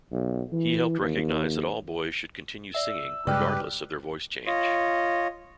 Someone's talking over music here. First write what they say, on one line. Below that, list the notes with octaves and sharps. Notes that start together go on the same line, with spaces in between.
He helped recognize that all boys should continue singing regardless of their voice change.
B1
E3
D#2
D5 E5 E6
G2 C#3 G#3 G4 B4 D5 G5 F6
F4 C#5 D#5